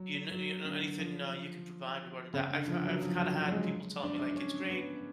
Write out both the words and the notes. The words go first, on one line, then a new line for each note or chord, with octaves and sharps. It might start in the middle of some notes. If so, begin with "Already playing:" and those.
You kn you know anything, uh, you can provide regarding that? I've ha I've kinda had people telling me, like, "It's great,
Already playing: F#3
F#3
D3
F3
C#3
D3
F3
F#3
F3
F#3
F#3
F#3
G#3
D4
D4
D4
C#4
B3